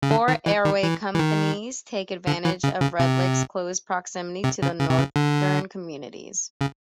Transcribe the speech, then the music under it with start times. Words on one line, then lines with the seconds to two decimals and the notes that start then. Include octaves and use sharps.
Four airway companies take advantage of Red Lake's close proximity to the northern communities.
0.03 C#3
0.11 D3
0.28 D#3
0.46 E3
0.65 D#3
0.83 E3
1.15 E3
1.19 D#3
2.27 D3
2.45 E3
2.64 C#3
2.81 C#3
2.99 C3
4.44 C3
4.62 C#3
4.80 C#3
4.90 C3
4.98 C#3
5.16 D3
6.61 C#3